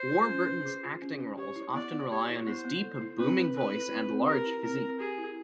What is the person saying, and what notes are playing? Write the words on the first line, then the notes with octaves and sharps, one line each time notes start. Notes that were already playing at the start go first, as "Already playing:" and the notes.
Warburton's acting roles often rely on his deep, booming voice and large physique.
Already playing: C5
F4
C#4
B4
G#4
F4
C#4
B4
G4 C#5
E4
B3 D5
B3
G4 C#5
E4
B3 C5
B3
A4
E4
C4 B4
C4
A4 B4
E4
C4
C4
G4 A#4
E4
C4 A#4
C4
G4 G#4
E4